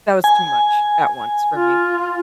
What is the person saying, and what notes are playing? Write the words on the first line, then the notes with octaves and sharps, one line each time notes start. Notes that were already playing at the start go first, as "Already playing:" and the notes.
That was too much at once for me.
G#5
F4